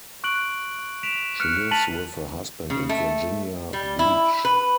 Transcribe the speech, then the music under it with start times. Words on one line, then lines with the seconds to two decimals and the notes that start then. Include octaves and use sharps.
She lives with her husband in Virginia Beach.
0.24 C#6 F#6 D7 F#7
1.03 B6 D7 E7 F7
1.40 F6 F#6 C#7
1.71 A5 A6 B6 D#7 F7 F#7
2.70 C#3
2.89 A3
3.73 G3
3.99 E4
4.45 B4